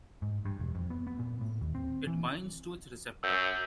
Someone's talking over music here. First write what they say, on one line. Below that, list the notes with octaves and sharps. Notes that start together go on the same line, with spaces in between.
It binds to its receptor.
G#2
G2
E1
F2
B3
B3
A#2
A2
D#2
C4
E3
F#2 E6 G6